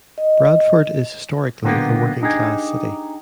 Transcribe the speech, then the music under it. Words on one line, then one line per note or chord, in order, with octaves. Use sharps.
Bradford is historically a working class city.
D#5
B1 A#2 D3 A#3 B3 G4
D4 D#4 G4 G#4